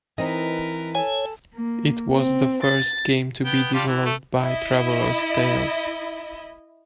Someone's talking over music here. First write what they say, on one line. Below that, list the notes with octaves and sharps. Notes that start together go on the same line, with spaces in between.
It was the first game to be developed by Traveller's Tales.
E3 C4 D#4 A#4 B4 D#5
A4 C#5 G#5
A#3
C4
A6
B3 G5
G3 D4 F4
E3
A3
E4 D#5